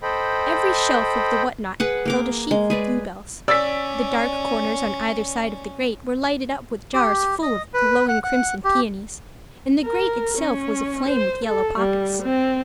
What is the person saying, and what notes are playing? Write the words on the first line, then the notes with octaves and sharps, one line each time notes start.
Every shelf of the what-not held a sheaf of bluebells; the dark corners on either side of the grate were lighted up with jars full of glowing crimson peonies, and the grate itself was aflame with yellow poppies.
A4 C5 D#5 G5 B5
G#4 B4 F#5
A#3 A#4 D6
G#3
G#4 B4 D5
C#4 D5 E6 A6 B6
G4
D#5
B4
F#5
F#5
G4
A#4
C#4
C5
A4
G3
C4